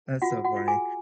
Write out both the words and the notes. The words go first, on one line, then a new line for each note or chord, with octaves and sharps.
that's so funny.
F4 F#4 F#5
F#4 F#5
F4
G#4 G#5